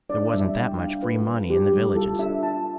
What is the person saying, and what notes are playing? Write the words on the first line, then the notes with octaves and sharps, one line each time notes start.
There wasn't that much free money in the villages.
D4 D5
G3 E5
D4 G5
D4 F5
F4 B4
G3
D4 G4
G3
F4 A4
D4 E5
F4 A5